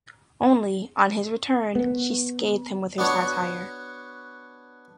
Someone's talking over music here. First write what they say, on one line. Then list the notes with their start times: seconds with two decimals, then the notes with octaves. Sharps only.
Only, on his return, she scathed him with her satire.
1.75 B3
2.98 B3 D4 F#4 C#5